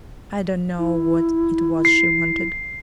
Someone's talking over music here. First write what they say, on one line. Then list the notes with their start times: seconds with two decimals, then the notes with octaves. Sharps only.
I don't know what it was she wanted!
0.78 E4
1.85 C7